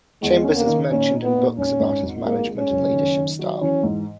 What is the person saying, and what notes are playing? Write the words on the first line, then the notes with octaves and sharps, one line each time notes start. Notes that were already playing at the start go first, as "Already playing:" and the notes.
Chambers is mentioned in books about his management and leadership style.
E2 G#3
C#4
A#3
D#3
A#2 C#4
D#4
B3
A#2
G#1 C#4
G#2
G#1
G#3 A#3
G#3
C#4
F#1
D#3
D#3
F#3
E3 C#4
G#2